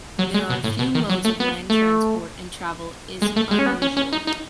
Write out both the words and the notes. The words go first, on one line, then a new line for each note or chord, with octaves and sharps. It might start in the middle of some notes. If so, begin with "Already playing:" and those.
There are few modes of land transport and travel is unusual.
F#3
G#3
B2
A2
B2
D#3
F#3
A3
B3
A3
G#3
A3
G#3
C#4
B3
C#4
C#4
D#4
D#4